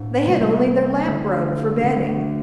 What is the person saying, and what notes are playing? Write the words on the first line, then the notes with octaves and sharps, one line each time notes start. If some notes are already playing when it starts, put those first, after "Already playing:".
They had only their lap-robe for bedding.
Already playing: A2 D4
C3 G3 A#3
D3 A3 D4
D3 A3 D4